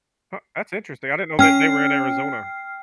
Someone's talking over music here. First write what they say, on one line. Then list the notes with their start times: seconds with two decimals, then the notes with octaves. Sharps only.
Huh, that's interesting. I didn't know that they were in Arizona.
1.39 C#4 G5 F6 C7